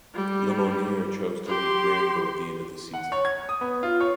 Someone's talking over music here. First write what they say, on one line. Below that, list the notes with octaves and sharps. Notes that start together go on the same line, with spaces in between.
Lemonnier chose to leave Granville at the end of the season.
G3
G4 C6
F#5
C#5
G#6
D#6
B3
F4
C#5